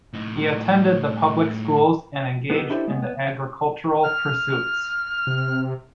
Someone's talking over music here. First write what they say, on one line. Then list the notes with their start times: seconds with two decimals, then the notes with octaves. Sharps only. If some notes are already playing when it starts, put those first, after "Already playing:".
He attended the public schools and engaged in agricultural pursuits.
0.13 A2 D#4
2.50 B3 D#4 F4 G4 A4
2.70 D4 E4 G4 A4 C5 D5
2.88 G#3 B3
3.02 B3
4.03 F6
5.27 C3